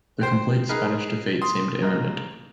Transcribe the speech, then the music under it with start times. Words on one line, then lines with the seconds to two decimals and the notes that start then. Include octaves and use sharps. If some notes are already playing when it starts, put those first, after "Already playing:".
The complete Spanish defeat seemed imminent.
0.22 C5 G5
0.69 D#4 G#4 A#4 B4
1.42 C6 D#6
1.82 A#3 D#5